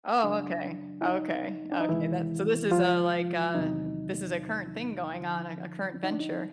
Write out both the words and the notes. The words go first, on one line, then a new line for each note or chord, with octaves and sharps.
Oh, okay, okay, okay, that so this is a like a this is a current thing going on, a a current venture.
F#2 C#3 F#3 D4
E4
D#4
D4
D#4
E2 C3 D#3 E3 G#3 E4
F3 F4
E2 C3 D#3 F#3 D#4
D#2 D3 F3
D#4
D4
D#4